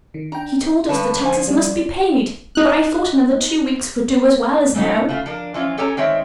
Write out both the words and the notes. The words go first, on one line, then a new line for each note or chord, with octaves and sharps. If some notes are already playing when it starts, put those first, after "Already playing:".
He told us the taxes must be paid, but I thought another two weeks would do as well as now.
D#3
D4 G5 A#5
G2 D3 G#3 B4 A5
F3 C5 G#5
G3 D#4 D5
D#4 F#6
A#2 C#3 G3 D#4 A4
C#3 A3 F4
F3 D4 A#4
E3 F3 C#4 F4
C#4 G4 A4 C#5 G#5 A#5
D#3 G#3 C4 C#5 E5